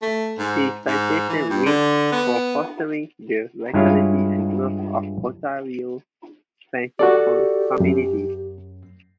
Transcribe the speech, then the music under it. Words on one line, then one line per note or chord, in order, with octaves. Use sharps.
His citation reads, for fostering the vitality and growth of Ontario's francophone community.
A3
G#2
G#2
E3
G2
D3
B3
G2 G#3 E4 F4 C#5 F5
F#4 G4 A4 D5
F#2